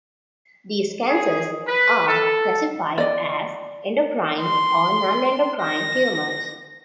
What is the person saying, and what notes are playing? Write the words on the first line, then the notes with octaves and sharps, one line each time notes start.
These cancers are classified as endocrine or nonendocrine tumors.
G#4
B4
A4
D5 D#5
C6
A#6